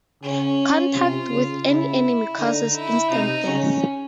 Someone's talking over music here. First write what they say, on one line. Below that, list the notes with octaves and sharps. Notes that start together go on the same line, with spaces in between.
Contact with any enemy causes instant death.
C#3 C#4
C3 F4
C#3
C#3 E4
D3 D#4
E4
C3 D#4
C#3 C#4